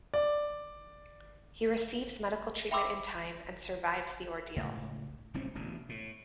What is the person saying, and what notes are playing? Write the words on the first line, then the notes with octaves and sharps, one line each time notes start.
He receives medical treatment in time and survives the ordeal.
D5
E5 G5 B5 C6 D6 E6
C#2 A2
D1 C2 C4 C#4
E1 A1 B2 D3
A2